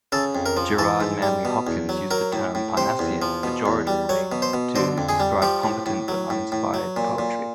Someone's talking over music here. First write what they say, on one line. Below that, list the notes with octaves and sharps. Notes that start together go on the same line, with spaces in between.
Gerard Manley Hopkins used the term "Parnassian" pejoratively to describe competent but uninspired poetry.
C#3 A4
F2
A#4
F3
E3 A4
G#2
G3
B2
E2
F#3
F#3 A#4
A2
A2
C3 C5
E2
F3
B2
E2
G3
F#3 C#5
B2
C5
B2
D3 C5
F2
G#4
G3
F3 G4
A2
A2
F#3
A2
A2
F#3
A#2
A#2